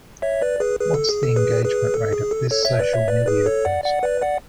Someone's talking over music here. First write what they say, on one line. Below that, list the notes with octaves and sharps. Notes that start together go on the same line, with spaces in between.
What is the engagement rate of this social media post?
C#5 E5
B4 D5
G#4 B4
G#4 B4
A4
G#4
A4
G#4 B4
G#4 B4
A4
G#4
A4
A4 C#5
C#5 E5
B4 D5
C#5 E5
B4 D5
G#4 B4
A4 C#5
D5 F#5
D5 F#5
B4 D5
D5 F#5